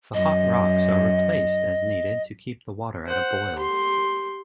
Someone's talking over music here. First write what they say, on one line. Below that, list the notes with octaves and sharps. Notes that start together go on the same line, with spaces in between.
The hot rocks are replaced as needed to keep the water at a boil.
F#2 D#5
C5 F#5
G4 C6